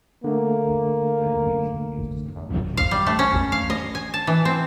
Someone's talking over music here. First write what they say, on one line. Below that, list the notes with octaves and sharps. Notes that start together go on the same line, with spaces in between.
They are usually used as cargo ships.
D3 A3 A#3
F5
G3
A3
C#4
F5
D#5
G#5
A5
E3
C4